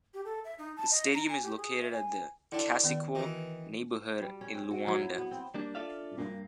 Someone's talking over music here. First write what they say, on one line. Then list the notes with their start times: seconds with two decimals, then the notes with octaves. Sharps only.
The stadium is located at the Cassequel neighborhood in Luanda.
0.14 G4
0.25 A4
0.45 E5
0.58 D#4
0.77 A5
0.91 D#5
1.14 A#5
1.29 G#5
1.43 G4
1.57 G#4
1.80 E5
1.93 G#5
2.52 D3 D4 E4 G5
2.84 D#3 B3 D5
3.15 D#3 E3 F#4 B4
4.21 G3
4.41 C#4
4.54 C4
4.71 F#4
4.87 F#3
5.01 E4
5.18 B3
5.31 C4
5.54 G3 A#3 D4
5.75 D4 F4 A4 D5 E5 F5
6.18 G2 A#3